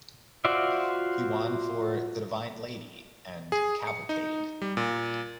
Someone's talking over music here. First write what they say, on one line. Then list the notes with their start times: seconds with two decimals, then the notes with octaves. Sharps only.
He won for "The Divine Lady" and "Cavalcade".
0.45 F4 F#4 C5 D5 E5
3.52 G#4
3.87 C#7
4.09 D#4
4.62 G3
4.77 A#2